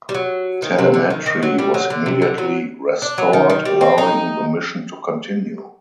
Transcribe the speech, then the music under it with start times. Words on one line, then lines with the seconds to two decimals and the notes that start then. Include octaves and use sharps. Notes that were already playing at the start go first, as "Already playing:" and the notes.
Telemetry was immediately restored, allowing the mission to continue.
0.09 G3
0.14 F#3
0.62 D#3
0.78 C3
0.94 D3
1.10 D#3
1.26 D#3
1.43 F#3
1.59 G3
1.74 F#3
1.90 D3
2.06 C3
2.22 D3
2.38 F#3
3.02 D4
3.18 F#3
3.33 D#3
3.50 D#3
3.65 G3
3.81 C4
3.98 D#4